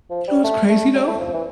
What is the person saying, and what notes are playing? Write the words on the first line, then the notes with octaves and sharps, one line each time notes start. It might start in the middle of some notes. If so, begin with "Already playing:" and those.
You know, it's crazy though?
F3
G3
A3
A3
G3
A3
F3
E3